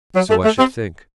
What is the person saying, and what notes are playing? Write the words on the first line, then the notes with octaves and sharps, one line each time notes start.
"So I should think."
F#3
A3
A3
C4